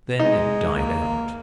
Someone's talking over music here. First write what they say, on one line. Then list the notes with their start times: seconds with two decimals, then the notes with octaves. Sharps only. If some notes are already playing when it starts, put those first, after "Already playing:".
Then it died out.
0.20 G#3 D#4
0.75 A#3